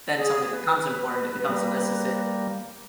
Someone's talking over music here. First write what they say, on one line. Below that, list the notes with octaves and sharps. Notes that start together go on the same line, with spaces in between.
Then something becomes important, it becomes a necessi
G#4
B4
G3 A#3